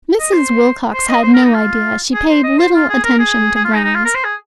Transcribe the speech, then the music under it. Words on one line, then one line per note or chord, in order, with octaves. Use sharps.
Mrs. Wilcox had no idea; she paid little attention to grounds.
D#5
C5
C5
D#5
C5
A#4
D#4
F4
G#4
C5
D#5
C5
F4
G#4
A#4
G#4
G#4
F4
D#4
D#4
F4
A#4
C5
G#4